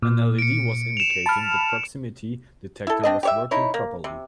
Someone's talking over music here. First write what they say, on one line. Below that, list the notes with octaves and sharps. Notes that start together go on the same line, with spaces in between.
An LED was indicating the proximity detector was working properly.
A#2
C#7 D7
E7 F7
A5 B5 F6
E4 A4
C4 D4 D#5
G4 C#5 E5
D#4 E4 C#5
A#3
C3